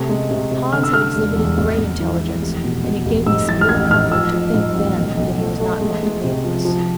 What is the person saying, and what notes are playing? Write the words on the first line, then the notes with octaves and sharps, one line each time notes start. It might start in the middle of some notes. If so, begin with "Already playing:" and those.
Hans had exhibited great intelligence, and it gave me some little comfort to think then that he was not going to leave us.
Already playing: C3 A3
G#3
C3
C3
D3 F6
E6
A3 F6
E1
E2
G#1
G#1
E3
E3
F1
B2
B2
F1
G#2 E6
E3 A6
F6
A1 G#6
G#2 F6
F3 E6
F3
G#2
A1
B1
B1
A3
A3
G#3
G#3
C3
F3
F3